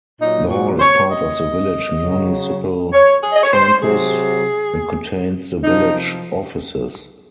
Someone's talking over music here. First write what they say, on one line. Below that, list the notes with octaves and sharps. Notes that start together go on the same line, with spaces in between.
The hall is part of the village municipal campus, and contains the village offices.
A#2 F#3 D#4
F#4
C5
C#5
D#5
C#3 F#3
C#5
G#4
D#5
C#5
C5
C3 F#3 G#4
C3 F3 D#4